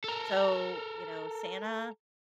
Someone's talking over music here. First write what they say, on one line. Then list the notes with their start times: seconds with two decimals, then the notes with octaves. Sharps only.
So, you know, Santa
0.04 A4 A#4